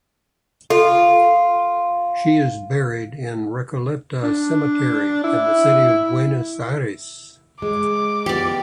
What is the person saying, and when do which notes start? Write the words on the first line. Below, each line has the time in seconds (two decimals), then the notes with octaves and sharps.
She is buried in Recoleta Cemetery in the city of Buenos Aires.
0.70 F4 A4
4.23 D4
5.24 E4
7.62 G#3 D6
8.26 F3 B3 G4 D5